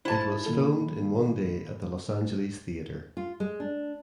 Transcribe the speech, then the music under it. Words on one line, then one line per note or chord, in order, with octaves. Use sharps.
It was filmed in one day at the Los Angeles Theatre.
E4 C5 A5
A#2 D#3 A4
F4
G#3
D4